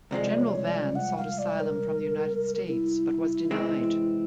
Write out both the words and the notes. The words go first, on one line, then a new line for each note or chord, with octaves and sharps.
General Van sought asylum from the United States but was denied.
C2 C3 F3 G#3 D5
C#5
D5
C#5
D5
F#5
F5
D5
A#4
E4
E2 C3 E3 G#3 C4